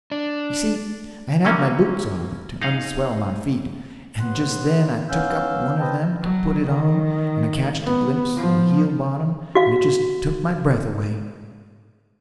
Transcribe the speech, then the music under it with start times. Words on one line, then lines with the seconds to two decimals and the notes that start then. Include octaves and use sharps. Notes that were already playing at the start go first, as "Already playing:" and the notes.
You see, I had had my boots off, to unswell my feet, and just then I took up one of them to put it on, and I catched a glimpse of the heel-bottom, and it just took my breath away.
0.11 D4
1.45 D3 F#3 G3 A#3 C#4
2.62 D#4 G#4 D#5 F5 F#5
4.20 D#2 B3 C6 F#6
5.09 B3 C#4 F5 E6 G6
5.79 B4 C5 D#5 G5 A5
6.22 F#3
6.66 D#3
7.84 B3
8.36 F3
9.55 F#4 F5